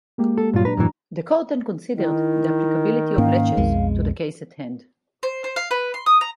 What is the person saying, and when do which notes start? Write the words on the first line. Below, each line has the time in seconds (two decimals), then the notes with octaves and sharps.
The Court then considered the applicability of laches to the case at hand.
0.18 G#3 A#3 G4
0.38 A4
0.53 G2 A#2 F#3 F4
0.65 D4 B4 A#5
0.77 F#2 A2 E3
1.97 D#3 E4
3.18 G#2 A#3 C#4 F5
3.57 B1 F2 G#3
5.23 C5
5.44 C5
5.56 F5
5.71 B4
5.94 C6
6.06 D#6
6.21 A#5